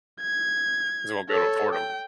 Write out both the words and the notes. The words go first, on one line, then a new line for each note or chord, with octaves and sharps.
'cause they won't be able to afford 'em.
G#6
A4 C#5
G5